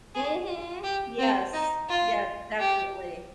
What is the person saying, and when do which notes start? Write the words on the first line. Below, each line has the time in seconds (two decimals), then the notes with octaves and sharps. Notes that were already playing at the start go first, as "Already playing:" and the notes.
Mhm. Yes. Yes, definitely.
0.15 G#4
0.83 G4
1.19 C4
1.53 D#4
1.89 F4
2.59 G4